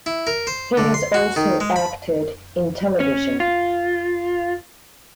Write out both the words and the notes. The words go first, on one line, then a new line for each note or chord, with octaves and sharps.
He has also acted in television.
E4
A#4
C5
D3
C6
F#4
D#3
G#3
B5
C#4
F4